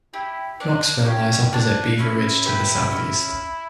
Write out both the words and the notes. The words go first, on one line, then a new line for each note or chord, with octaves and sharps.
Knoxville lies opposite Beaver Ridge to the southeast.
E4 G4
D4 D5 A5
C#4 G4
D4 D5 A5
C#4 E4
G4 B4
C#4